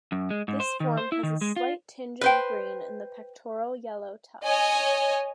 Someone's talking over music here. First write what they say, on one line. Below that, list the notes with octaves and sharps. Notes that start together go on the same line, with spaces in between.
This form has a slight tinge of green in the pectoral yellow tufts.
F#2
G#3
G#2
C5
D#3
C5
E4
D#3
G#3
F4
B4 C5 G5
C#5 D#5 G#5